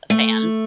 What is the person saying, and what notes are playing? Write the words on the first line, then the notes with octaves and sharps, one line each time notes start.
a fan.
A3